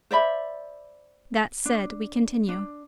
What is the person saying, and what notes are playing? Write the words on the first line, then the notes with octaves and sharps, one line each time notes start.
That said, we continue.
C5 D5 E5 B5
D4
D4